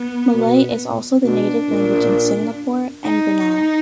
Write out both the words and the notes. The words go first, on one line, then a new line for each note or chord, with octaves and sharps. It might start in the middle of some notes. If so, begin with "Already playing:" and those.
Malay is also the native language in Singapore and Brunei.
Already playing: B3
B2
B2 D4
A#2
D#4